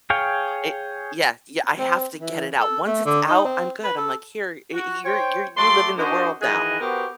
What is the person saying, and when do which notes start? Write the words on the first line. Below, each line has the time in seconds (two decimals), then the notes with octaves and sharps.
It yeah, yeah, I have to get it out, once it's out, I'm good. I'm like, "Here, it you're you're you live in the world now."
0.10 G#4 C#5 F5 G5
1.79 C4
2.21 E3
2.60 A4
2.87 A3
3.05 D3
3.28 D#4
3.45 C4
3.84 B4
3.98 A4
4.74 F#4
5.05 C5 C#5 G5
5.57 F#3 A3 D5 C6
5.98 D4 F#4 G#4 A#4 C5 D#5
6.42 D#3 E3 F#4 G#4 D#5
6.81 B3 F#4 G4 A#4 C5